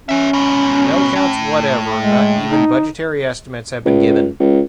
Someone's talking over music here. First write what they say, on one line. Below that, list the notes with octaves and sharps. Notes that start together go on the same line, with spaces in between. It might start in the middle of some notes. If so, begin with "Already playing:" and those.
No accounts whatever, not even budgetary estimates have been given.
C#4 G#4 E5
G#2 B2
A2
G#3
D#4
C#2
C#2